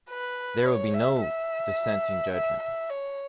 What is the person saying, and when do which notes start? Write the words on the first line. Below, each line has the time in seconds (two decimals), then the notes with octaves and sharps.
There will be no dissenting judgment.
0.10 B4
0.66 C#5
0.94 E5
1.22 E5
2.35 E5
2.63 E5
2.90 C#5